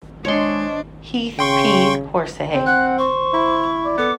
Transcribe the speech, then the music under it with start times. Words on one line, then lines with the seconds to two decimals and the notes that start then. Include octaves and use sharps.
Heath, P. Horsehay.
0.25 G#3 D4 C5 C#5 D#5 C6
1.39 C#3 G5 C6 C#6
2.55 C4
2.66 F#5 F#6
2.99 C5 C#6
3.33 E4
3.85 D5
3.98 B3 A4 D6